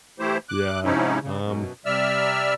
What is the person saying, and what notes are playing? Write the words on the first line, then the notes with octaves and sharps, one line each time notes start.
Yeah, um
E3 A3 E4 G4 C5
D6 F#6
G#2 C3 F3 C#4 D#4 E4
C#3
F#2 B2
C3 G3 D5 E5 E6 F6